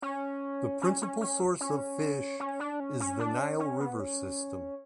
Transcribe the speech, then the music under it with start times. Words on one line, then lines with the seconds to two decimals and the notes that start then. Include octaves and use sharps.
The principal source of fish is the Nile River system.
0.02 C#4
0.82 C#4
1.02 C#4
1.21 C#4
1.61 C#4
2.40 C#4
2.60 D4
2.80 C#4
3.00 C#4
3.20 D4
3.40 C#4
3.59 C#4
3.80 B3
4.00 C#4